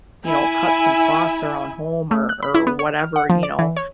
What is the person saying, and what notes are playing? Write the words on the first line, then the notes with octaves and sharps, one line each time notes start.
you know, cut some costs around home or or whatever, you know.
E4 G#5
A3
F#6
B5
E4
B3
C#5
F6
F#5
F3
D5
E3
C#5